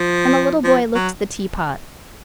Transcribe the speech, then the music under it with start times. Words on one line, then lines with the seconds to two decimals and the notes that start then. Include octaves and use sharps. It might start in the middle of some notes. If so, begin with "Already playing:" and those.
And the little boy looked at the tea-pot.
Already playing: F3
0.64 F3
0.95 F#3